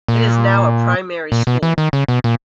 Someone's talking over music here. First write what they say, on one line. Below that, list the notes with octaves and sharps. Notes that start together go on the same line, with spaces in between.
It is now a primary school.
A#2
A#2
B2
E3
D#3
C#3
B2
A#2